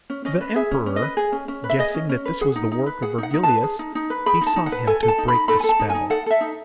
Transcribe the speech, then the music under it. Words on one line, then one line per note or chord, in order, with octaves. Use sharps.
The emperor, guessing that this was the work of Virgilius, besought him to break the spell.
C#4
C#4 D#5
B4
G#4 E5
C#4
C#4
D#5
B4
G#4
C#4
C#4
B4
E5
G#4 D#5
C#4
C#4
B4
G#4 F#5
D#4
D#4
B4
G#4 F#5
D#4 F#5
D#4
A5
B4
G#4
D#4
D#4
B4
G#4 B5
D#4
A5
D#4
F#5
B4
A4 G#5
A4
A5
D#4
B5
D#4
A4 B5
G#5
A4
A5
D#4
D#4 G#5
A4 F#5
A4 E5
D#4